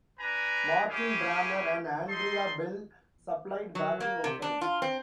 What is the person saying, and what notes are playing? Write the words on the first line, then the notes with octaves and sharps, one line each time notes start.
Martin Brammer and Andrea Bell supplied backing vocals.
D4 B4 G#5 A#5
C#4 E4 G4 G#4
D#4 A4 C6
F#3
A#3
C3
D4
F4
C4